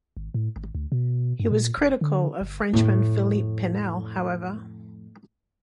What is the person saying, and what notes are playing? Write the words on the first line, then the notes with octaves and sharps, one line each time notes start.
He was critical of Frenchman Philippe Pinel, however.
G#1
A2
G#1
D2
B2
G2
A#2
F1
D3
G1
F2 A2